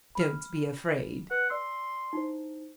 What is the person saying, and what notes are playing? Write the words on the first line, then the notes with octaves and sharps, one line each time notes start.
"Don't be afraid."
B5 F6
B4 F#5
D5 C6 E6
D#4 E4 C5